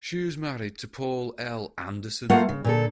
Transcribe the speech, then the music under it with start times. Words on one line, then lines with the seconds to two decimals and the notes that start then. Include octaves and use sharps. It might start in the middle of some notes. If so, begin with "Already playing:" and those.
She is married to Paul L. Anderson.
2.30 A3 A#3 F4 F5 F#5
2.49 C#3
2.64 A#2 D3 A4